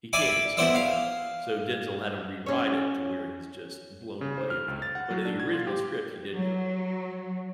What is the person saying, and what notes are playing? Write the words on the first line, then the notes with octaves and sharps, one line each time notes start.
He can't just get away," so Denzel had him rewrite it to where he's just blown away at the end, but in the original script, he did get away.
D5 E5 G#5 B5 D6
B3 E4 C5 D5 E5
F5
C#4 C#5
C#3
C5
F6
C#2
A6
F#5
F#3
D4
G#6
F4
G4
F#3